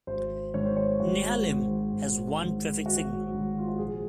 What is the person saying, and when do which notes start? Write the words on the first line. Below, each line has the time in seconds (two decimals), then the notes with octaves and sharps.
Nehalem has one traffic signal.
0.07 G#1 C5
0.54 G#2 D#3 C#5
0.66 C5
0.77 C#5
1.00 G#1 F#4
1.46 G#2 D#3
1.93 G#1
2.39 G#2 D#3
2.86 G#1 F#4
3.32 G#2 D#3
3.58 F4
3.69 F#4
3.79 A#1 G#4